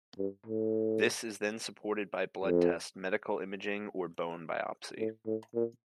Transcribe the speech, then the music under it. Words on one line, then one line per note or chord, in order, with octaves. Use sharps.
This is then supported by blood tests, medical imaging, or bone biopsy.
G2
A2
F2
A2
A2
A#2